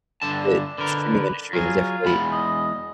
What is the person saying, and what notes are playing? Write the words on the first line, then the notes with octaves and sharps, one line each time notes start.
the streaming industry has definitely,
G2 D3 A5
D3 A#4 B4
F#3 F4 G#4
E2 G#3 B5
D#5